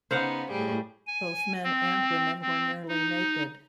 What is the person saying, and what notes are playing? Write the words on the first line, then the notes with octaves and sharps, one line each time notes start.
Both men and women were nearly naked.
C#3 B3 D#4 C5 F5 F#5
A2 G3 G#4
G#5
C4
C4
D#4